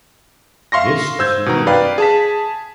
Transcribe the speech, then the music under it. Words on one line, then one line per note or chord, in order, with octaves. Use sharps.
This is your duty.
E5 F5 C6 C#6 A#6
C5 E6 G6 G#6
B2 D#3 A#5
B4 D5 F5 G5
G#4 A5 B6